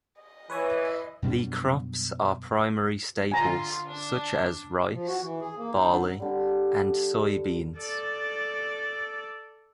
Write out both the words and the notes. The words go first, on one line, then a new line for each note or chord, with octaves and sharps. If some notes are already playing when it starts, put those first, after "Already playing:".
The crops are primary staples such as rice, barley, and soybeans.
D#5
E3 B4 C#5 G#5
F#2 B2 G3 D4
D3 F4 G#5 A#5
D4
F3
F#4
E3
G#4
A#3
D#4
D3
D3 G3
A4 D5